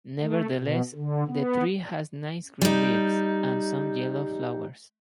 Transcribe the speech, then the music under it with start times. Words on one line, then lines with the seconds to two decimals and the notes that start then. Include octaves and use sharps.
Nevertheless, the tree has nice green leaves, and some yellow flowers.
0.20 A3
0.57 B2
0.94 D3
1.27 B3
2.62 G3 D#4